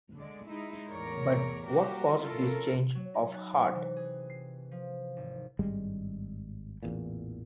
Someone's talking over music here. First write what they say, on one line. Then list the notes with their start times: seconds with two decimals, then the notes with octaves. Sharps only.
But what caused this change of heart?
0.16 D3 G#3 D5
0.47 G#3 D#4 E4
0.90 E2 A2 A3 A#4 C#5 D5
1.67 F3 G3 A#3 F#4 G4 A#4
2.18 C#4 E4 F4 A4 A#4
2.95 F#3
3.14 D#4
3.33 F#6
3.53 C3
3.75 E3
3.97 G#4
4.30 C7
4.71 F3
5.17 G#1
5.59 G#1 G2 G3 G#3
6.83 A1 E2 A#2